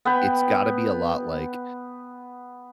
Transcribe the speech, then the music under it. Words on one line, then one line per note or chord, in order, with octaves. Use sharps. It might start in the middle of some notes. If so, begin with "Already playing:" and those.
it's gotta be a lot like
B3 B4 G5